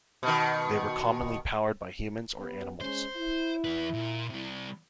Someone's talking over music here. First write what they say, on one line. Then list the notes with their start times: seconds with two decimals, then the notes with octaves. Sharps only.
They were commonly powered by humans or animals.
0.23 B2 D#3
2.39 B3 G4 B4
2.80 G#3 C#4 C5
3.16 E4
3.65 E2 B4
3.94 A#2
4.30 C3 G3